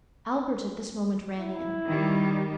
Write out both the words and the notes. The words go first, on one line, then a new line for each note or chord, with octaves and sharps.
Albert at this moment ran in.
E4
D#3 G3